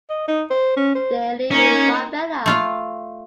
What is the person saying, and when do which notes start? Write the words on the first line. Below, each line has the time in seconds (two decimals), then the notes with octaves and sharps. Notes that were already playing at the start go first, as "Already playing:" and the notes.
They live in Marbella.
0.10 D#5
0.28 D#4
0.51 C5
0.77 C#4
0.95 C5
1.51 A#3 C#4 D#4
2.46 A3 F4 F5